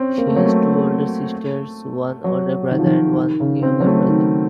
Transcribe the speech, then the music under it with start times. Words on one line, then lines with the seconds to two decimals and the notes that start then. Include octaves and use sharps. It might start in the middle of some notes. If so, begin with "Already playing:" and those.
She has two older sisters, one older brother and one younger brother.
Already playing: C4 C#4
0.18 A#3
0.27 A3
0.36 F#3
0.46 A3
2.24 F#3
2.71 D#3
2.79 F3
2.86 D#3
3.17 D#3
3.40 C#3
3.63 C4
3.80 F#3
3.86 A3
4.08 D#3